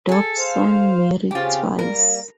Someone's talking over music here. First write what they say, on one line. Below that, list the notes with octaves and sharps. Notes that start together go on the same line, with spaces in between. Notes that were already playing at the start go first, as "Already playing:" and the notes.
Dobson married twice.
G#4 A4
C5 F5
C#3 C4 C#4 F4 G4
G3 A#3 A#4